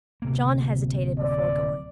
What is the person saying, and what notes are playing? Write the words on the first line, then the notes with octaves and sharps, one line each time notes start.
John hesitated before going.
D1 C3 A#3
D5